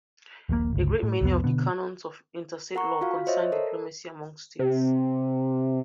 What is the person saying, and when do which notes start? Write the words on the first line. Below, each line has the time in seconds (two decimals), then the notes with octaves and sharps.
A great many of the canons of interstate law concerned diplomacy among the states.
0.49 D#1 A#1 G#2 A#3
0.73 G1 C#2
1.03 A2
1.21 C2 F2 B3
1.44 B2 D3 B3
2.75 A#4 F#5 A#5 C#6
3.01 F4 F#4 F5
3.27 C5 C#5 D#5 E5
3.52 A4 A#4
4.59 C3